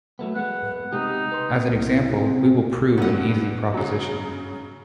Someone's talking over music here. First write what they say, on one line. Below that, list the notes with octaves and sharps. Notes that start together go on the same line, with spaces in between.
As an example, we will prove an easy proposition.
F#3 A3 B3
G#3 B3 F#5
C3 G#3 D#4 G4
B4 C6
C2
C4
G2 B3 F#5
C#3 F#3